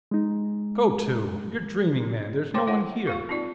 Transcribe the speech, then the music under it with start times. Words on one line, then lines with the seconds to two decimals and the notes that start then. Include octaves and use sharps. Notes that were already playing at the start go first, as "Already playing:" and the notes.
'Go to!--you're dreaming, man!--there's no one here.'
0.11 G#3 D#4
2.54 C5 C#5 G5 C6 D6
2.67 E4 C#5 F#5
3.07 F4 F5 C#6
3.29 C4 D#4 F4 D5